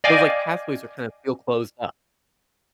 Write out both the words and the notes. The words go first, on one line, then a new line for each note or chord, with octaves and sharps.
Those, like, pathways are kinda feel closed up.
D5 D#5 F5 G5 G#5 D6